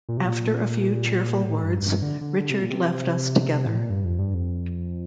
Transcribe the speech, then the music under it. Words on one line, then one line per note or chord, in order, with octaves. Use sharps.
After a few cheerful words, Richard left us together.
A#2
C3
A#2
A2
G2
G2
D3
D3
D3
C3
A#2
C3
A2
A#2
G2
F2
G2
F2